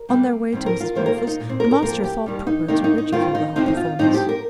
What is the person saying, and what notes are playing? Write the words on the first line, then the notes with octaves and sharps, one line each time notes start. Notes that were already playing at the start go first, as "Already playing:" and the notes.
On their way to Mrs. Morpher's the master thought proper to ridicule the whole performance.
Already playing: A#4
C3 G3 A#3
G2 D#3 C4
A#4
F4
D#2 D#3 G3 A#3 C5
A#4
F4
D#4
A#2 A#3
C4
A#4
A#4
F2 F3 A#3 A#4
G4
D#2 D#3 G3
D#4
C3 D#3 A#3 D#4
D#4
D#4
G2 D#3 C4 F4
D#4
F2 C3 F3 C4 D#4
D#4
F4
G2 F3 C4 D#4
G4
A#4